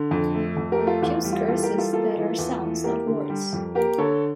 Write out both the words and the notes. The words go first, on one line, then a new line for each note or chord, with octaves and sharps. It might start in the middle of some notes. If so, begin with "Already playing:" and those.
Puce curses that are sounds not words.
Already playing: D3
F2
A3
F2
G4 A#4
A3
F4 A4
E2 F4
G3
F4
E3 F4 A4
G4 A#4
G3
F4 A4
A#3 F4 A4
E3
E2
E3
A#3 G4 A#4
D3
G3
F2
A#3 G4 A#4
D3 A4 C#5